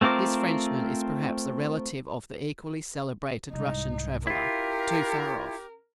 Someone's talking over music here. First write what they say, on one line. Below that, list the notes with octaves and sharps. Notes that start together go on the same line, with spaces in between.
This Frenchman is perhaps a relative of the equally celebrated Russian traveller, Toofaroff.
A3 C4 F4 A#4 D6
C2 G#2 D#4
C#4 E4 F4 G4 A#4